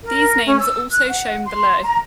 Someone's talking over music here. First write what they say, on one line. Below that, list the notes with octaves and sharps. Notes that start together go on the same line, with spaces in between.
These names are also shown below.
A#4
C#4
E6
F#6
F#5
C6
A#5